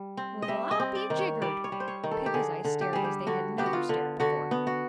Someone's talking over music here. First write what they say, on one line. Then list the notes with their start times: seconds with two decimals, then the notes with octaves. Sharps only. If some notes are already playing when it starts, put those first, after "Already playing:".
"Well, I'll be jiggered!" Peggy's eyes stared as they had never stared before.
Already playing: G3
0.17 C4
0.42 D#5
0.48 G3 E5
0.71 D#5
0.80 C4
0.95 D5
1.10 D#3
1.19 C#5
1.42 G3 D5
1.64 C#5
1.72 G3
1.80 C5
1.88 C#5
2.04 D#3
2.11 A4
2.26 G4
2.34 D3 G#4
2.65 D3
2.81 G4
2.93 G3 G#4
3.04 G4
3.27 D3 F#4
3.58 B3 G4
3.66 F#4
3.73 F4
3.89 D3
4.20 D3 F#4
4.51 B3
4.67 F#4